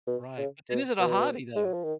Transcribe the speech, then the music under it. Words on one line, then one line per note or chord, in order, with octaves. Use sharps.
Right. But, then, is it a hobby, though?
B2
C#3
B2
B2
G#3
F#3
F3
D#3